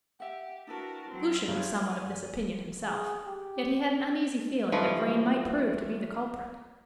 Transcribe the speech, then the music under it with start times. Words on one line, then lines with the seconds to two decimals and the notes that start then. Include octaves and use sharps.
Lucian was somewhat of this opinion himself, yet he had an uneasy feeling that Vrain might prove to be the culprit.
0.20 G4 E5 F#5
0.67 D4 E4 F#4 A#4 B4 A5
1.09 F#3 C4
1.48 G2 F4 G4 G#4 C#5
1.87 G#5
2.85 G#4
3.26 G4
4.72 G2 E3 F3 A3 D#5